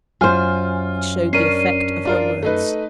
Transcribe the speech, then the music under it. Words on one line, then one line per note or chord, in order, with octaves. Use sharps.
It showed the effect of her words.
F#2 F4 C5 G#5 F6
C#4 D4 A#4 C7 D#7
D4 F4 A#4
A3 D#4 B4